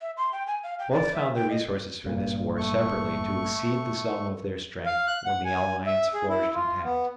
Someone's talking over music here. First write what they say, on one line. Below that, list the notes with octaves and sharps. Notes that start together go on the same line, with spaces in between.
Both found their resources for this war separately to exceed the sum of their strength when the alliance flourished intact.
E5
C6
G5
G#5
F5
G5
D5
E5
G5
D#5
G#1 G2 A#2
A3 C#6
F5
F#6
F#5
G#5
E5
G#4
E4
F4
B3